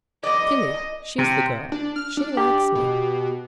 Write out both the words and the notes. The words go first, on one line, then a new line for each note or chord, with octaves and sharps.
Tillie--she's the girl--she likes me.
B3 D5 D#5
C3
D4
F6
D4
G4
B2